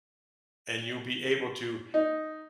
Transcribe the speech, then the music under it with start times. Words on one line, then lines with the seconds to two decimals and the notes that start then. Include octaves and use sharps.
and you'll be able to
1.94 D#4